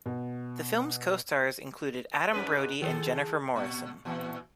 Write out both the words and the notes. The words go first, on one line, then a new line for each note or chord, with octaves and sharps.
The film's co-stars included Adam Brody and Jennifer Morrison.
B2
G#2 C#4 B4
D#3 G#4 A4
A#2
A#2 E3